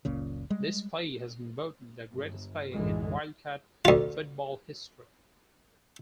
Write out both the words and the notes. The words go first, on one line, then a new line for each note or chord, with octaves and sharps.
This play has been voted the greatest play in Wildcat football history.
F#1 C#2 A#2 C#3
G3 G#3
G1
B1 F#2 A2 D3 E3 G#3
D2 F4